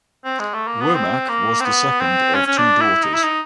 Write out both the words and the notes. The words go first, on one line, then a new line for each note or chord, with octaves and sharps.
Womack was the second of two daughters.
C4
G#3
A3
A#3
B3
C4
A#3
C4
B3
C4
C#4
C#4
D4
E4
D#4
E4
D#4